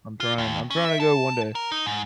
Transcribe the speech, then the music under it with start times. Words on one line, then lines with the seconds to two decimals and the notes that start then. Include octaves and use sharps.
I'm trying I'm trying to go one day.
0.20 F4
0.38 D#2
0.70 C#4
0.85 E5
1.00 A5
1.55 A#4
1.72 D#4
1.86 G#2